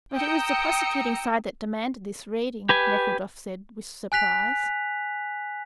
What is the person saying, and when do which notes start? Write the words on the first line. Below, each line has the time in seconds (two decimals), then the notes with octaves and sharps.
"But it was the prosecuting side that demanded this reading," Nekhludoff said, with surprise.
0.16 G5 A#5 D#6 E6 C#7
2.69 G4 B4 G#5
4.12 G#5 F#6 B6 F7